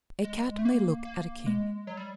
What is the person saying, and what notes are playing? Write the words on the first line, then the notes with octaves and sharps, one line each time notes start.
"A Cat may look at a king."
G#3
A3
A#3
A#3
G#3
F#3
G3